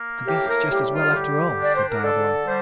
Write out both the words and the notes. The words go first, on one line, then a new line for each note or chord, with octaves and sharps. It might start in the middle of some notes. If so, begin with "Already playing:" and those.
"I guess it's just as well after all," said Diavolo.
Already playing: A#3
A2 G4
A#4
G3 G4
F4
A4
D3 G4
D4 D5
C5
A#4
D3 A4
G3 C5